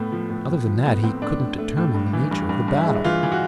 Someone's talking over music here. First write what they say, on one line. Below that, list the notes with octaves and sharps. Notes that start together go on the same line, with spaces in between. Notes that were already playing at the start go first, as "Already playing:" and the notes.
Other than that he couldn't determine the nature of the battle.
Already playing: A2 A3 B3
F3
A2
A2
F3
A3 B3
A2 C4
A2 D4
A2
A3
A2
G2
E3
G2
G2
G2
E4
G#3
E3 F4
E3
F#4